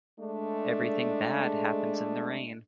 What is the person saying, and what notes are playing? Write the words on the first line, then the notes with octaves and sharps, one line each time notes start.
Everything bad happens in the rain.
G#3 A3 D4